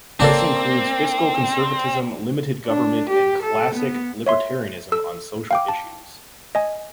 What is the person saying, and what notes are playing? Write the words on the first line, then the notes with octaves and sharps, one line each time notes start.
This includes fiscal conservatism, limited government, and classic libertarianism on social issues.
G#1 C#3 A#3 C4 D4 A4
D4
G4
A4
B3
C#5 E5 C6
A4 E6
F5 G5 D6
A5
D#5 G#5